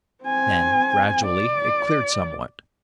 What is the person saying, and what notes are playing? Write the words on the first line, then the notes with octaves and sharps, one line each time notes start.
Then, gradually, it cleared somewhat.
C4 G#5
D5